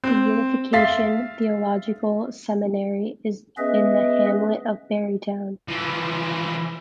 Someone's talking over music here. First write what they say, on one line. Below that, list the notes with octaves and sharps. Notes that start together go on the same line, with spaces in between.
The Unification Theological Seminary is in the hamlet of Barrytown.
C4
E5 F5 C6 A6 B6 C7
B3 C#4 G#4 B4 D#5 E5
E3 F3